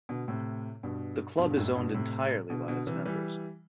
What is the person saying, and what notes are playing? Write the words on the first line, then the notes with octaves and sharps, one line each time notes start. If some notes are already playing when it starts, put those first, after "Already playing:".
The club is owned entirely by its members.
B2 D3
A2 C3
G2 B2
G2 B2
G2
F#2 A2
G2 B2
A2 C3
B2 D3
B2 D3
C3 E3
E3 G3